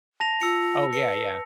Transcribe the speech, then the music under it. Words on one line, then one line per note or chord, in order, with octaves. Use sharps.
Oh, yeah, yeah.
A5 A#6 F7
F4 E6 C#7
B4 C#7